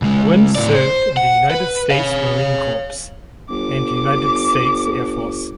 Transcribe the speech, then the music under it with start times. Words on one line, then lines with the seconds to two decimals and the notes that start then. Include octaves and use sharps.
Gwynn served in the United States Marine Corps and United States Air Force.
0.02 C#2 G#3
0.55 A2 D5
0.75 C5
1.17 F#5
1.51 B4
1.91 C#5 F5
3.50 G1 D6